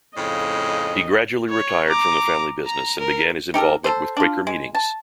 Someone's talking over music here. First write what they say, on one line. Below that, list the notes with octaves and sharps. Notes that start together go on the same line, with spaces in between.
He gradually retired from the family business and began his involvement with Quaker meetings.
F2 A2 C#3 D#5
C#5
A#5 D6
A#5
A#4
D#4 G4 A4 A#4
A4 C5
D4 F4
G#3
A5